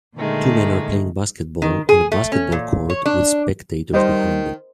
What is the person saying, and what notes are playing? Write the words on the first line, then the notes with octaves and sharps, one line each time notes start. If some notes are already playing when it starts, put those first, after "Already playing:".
Two men are playing basketball on a basketball court with spectators behind them.
A#2 D3 D#3 G#3 A3
D#3
G#4
A3
C#4
A#2
C#5
D4
D#3 G3 A#4 C5 D#5